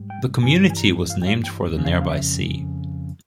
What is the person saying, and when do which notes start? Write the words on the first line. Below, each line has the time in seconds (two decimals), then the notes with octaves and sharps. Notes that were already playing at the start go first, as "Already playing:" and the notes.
The community was named for the nearby sea.
Already playing: G#2 G3
0.10 G5
0.43 G2 E3 G3 G#5
0.70 G#5
0.77 A#5
1.10 F5
1.22 G5
1.27 F5
1.44 G5
1.77 F2 C#3
1.85 F5
1.92 E5
2.01 F5
2.09 E5